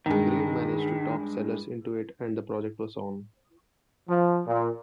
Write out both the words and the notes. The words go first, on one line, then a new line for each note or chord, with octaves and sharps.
Grade managed to talk Sellers into it and the project was on.
G2 D#3 G#3
F3
A#2